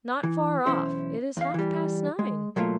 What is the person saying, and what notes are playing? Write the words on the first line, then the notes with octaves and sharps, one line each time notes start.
'Not far off--it is half-past nine.
E3
B1 E2 C#4 E4 C5
E2 F5
E3 G3
G#3
B2 F#3 A3 A#3 F4